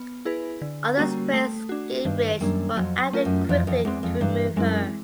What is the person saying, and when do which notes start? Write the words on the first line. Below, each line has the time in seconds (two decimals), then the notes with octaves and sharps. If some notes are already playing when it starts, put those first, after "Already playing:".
Others praised Gingrich for acting quickly to remove her.
Already playing: B3
0.25 E4 G#4 B4
0.62 D3
0.97 G3 A#3 C#4 F#4
1.34 A3
1.69 D4 F#4
2.05 G2 D#3
2.40 F#2 G3 A#3 D4
2.77 F2 F#3
3.13 A3 C#4 F4 A#4
3.25 F#2
3.49 F2 E3
3.67 F2
3.85 E2 G#3 C4
4.03 F2
4.21 G2 E3
4.56 F#2 G#3 C4 E4